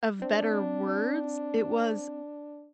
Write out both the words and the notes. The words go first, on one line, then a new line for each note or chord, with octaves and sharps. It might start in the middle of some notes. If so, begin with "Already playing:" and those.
of better words, it was
C4 D4